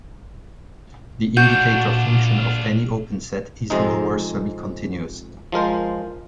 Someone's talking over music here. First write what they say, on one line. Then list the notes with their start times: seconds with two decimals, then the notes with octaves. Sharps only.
The indicator function of any open set is lower semicontinuous.
1.37 A#2 D4 F4 F#4 G6
3.70 F2 C3 G#3 D#4
5.52 F3 G#3 A#4 C5